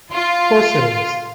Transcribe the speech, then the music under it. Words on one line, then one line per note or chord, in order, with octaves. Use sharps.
Of course it is!
F4